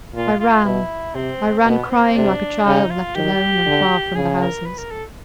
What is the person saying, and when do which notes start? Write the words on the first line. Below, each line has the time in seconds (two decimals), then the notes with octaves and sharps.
I ran--I ran crying like a child left alone and far from the houses.
0.14 A#2 F4
0.39 F4
0.65 B2 E4
1.15 C3 C4
1.59 C4
1.65 B2 B3
1.90 C4
2.15 C3 D4
2.65 C#3 D#4
2.90 F4
3.15 D#3 G4
3.66 D3
4.15 C#3 G#4
4.41 A#4
4.66 B4
4.78 A#4
4.91 A4